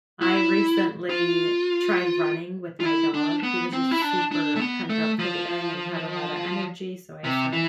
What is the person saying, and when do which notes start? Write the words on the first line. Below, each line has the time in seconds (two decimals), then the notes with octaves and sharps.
I recently tried running with my dog, he was just super pent-up for the day and had a lotta energy, so I said,
0.22 E4
1.09 F4
2.80 F4
2.85 E4
3.14 D4
3.43 B3
3.73 C4
3.91 E4
4.02 D4
4.32 D4
4.56 A3
4.60 B3
4.90 A3
5.19 F3
7.24 C3
7.53 E3